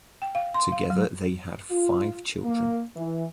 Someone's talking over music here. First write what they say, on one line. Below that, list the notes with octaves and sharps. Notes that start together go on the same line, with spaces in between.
Together they have five children.
G5
F5
C6
F5
F#3
F4
A#3
E3